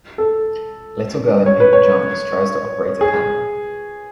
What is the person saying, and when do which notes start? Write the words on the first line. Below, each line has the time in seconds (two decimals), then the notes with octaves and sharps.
A little girl in pink pajamas tries to operate a camera.
0.18 A4
1.46 C#5
1.60 B4
1.73 C#5
3.01 G#4